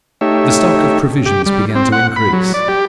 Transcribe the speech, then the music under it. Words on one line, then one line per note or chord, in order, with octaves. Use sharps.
The stock of provisions began to increase.
A3 D#4 G4 C#5 E5
G4
G3
C4
F#5
B5
F#3
D5
G4